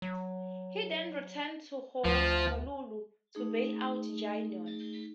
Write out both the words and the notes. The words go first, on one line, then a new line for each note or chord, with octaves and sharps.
He then returned to Honolulu, to bail out Janion.
F#3
D2 F3
A3 D#4 G#4